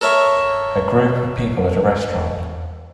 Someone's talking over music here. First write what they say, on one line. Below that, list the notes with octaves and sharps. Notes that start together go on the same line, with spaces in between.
A group of people at a restaurant.
A4 A#4 C#5 E5